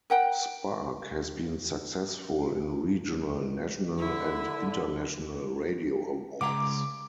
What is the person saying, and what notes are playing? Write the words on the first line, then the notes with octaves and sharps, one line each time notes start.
Spark has been successful in regional, national and international radio awards.
A#4 F#5 G5
D3 E4
C#3 G#3 A#5 D6